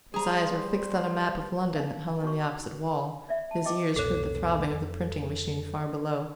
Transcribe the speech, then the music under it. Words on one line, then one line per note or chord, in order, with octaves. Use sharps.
His eyes were fixed on a map of London that hung on the opposite wall; his ears heard the throbbing of the printing-machines far below.
G3 G#4 C5 A#5
D#4 E4 F5
D#4 F#4 C#5 C#6
B5
D5 E5
A5
G4 D#5 G5 D6
C2 F2 B2 A4 C#5
F2